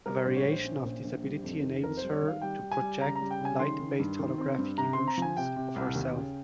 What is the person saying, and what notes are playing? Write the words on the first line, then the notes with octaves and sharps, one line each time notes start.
A variation of this ability enables her to project light-based holographic illusions of herself.
G3 A#4
A#1 C5
C#5
A#1
C5
C#4
A#2
A#1
G3
F2
D#3
F2 A#4
C5
G3
C#5
D#3
F5
G3 G5
G3
G#5
G3
C#3 A#5
A#5
G3
G5
C#3 G#5
D#3 C6
D#3
G2
D#3
C4
G2
C3 A#5
C4 C6
A#5
F3 G#5
C3 G5
C3
C2
D#2
C#3